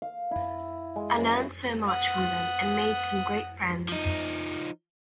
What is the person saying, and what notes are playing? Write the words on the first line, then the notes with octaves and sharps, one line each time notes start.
I learnt so much from them and made some great friends.
F5
E4
G#3
F#2
F#5 D#6
F3 D#4